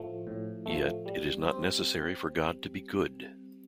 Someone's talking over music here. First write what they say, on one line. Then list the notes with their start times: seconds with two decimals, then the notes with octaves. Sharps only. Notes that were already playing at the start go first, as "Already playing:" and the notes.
Yet, it is not necessary for God to be "good".
Already playing: A2 F3 A3
0.27 A2
0.66 F3 A3
1.06 G3
1.44 C4 G4